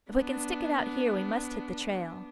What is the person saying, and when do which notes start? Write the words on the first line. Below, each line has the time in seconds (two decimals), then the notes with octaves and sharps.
If we can stick it out here we must hit the trail ...
0.12 B3 D4